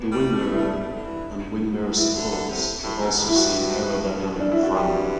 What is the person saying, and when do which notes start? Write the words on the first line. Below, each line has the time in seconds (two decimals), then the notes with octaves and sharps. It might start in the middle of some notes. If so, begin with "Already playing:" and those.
The wing mirror and wing mirror supports have also seen aerodynamic refinement.
Already playing: B3
0.12 G3
0.35 A3
0.52 E4
0.58 A3 D4
0.73 A2
0.80 B2
0.89 C3
0.96 D3
1.04 E3
1.45 C3
1.50 B2
1.73 F#3
1.97 E3 E4
2.14 D3
2.32 D3
2.49 C3
2.84 A2
3.01 B2
3.18 A2
3.29 E4
3.36 G2 F#4
4.06 F#2
4.40 F#2 D4
4.52 E4
4.63 F#4
4.75 G2 G4